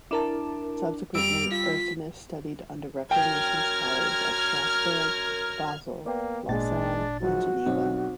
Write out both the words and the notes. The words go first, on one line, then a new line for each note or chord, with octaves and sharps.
Subsequently, Ursinus studied under Reformation scholars at Strasbourg, Basel, Lausanne, and Geneva.
D4 E4 A#4 A5 D6 E7
F2 G3 E6 D7 F7
F4 B6
F#2 A#4 G5 F6 G#6
A#3 B3 D5 G5
G#1 A#2 G#3 D4 A6
G#2 F3 F#3 F#4
B1 G2 C4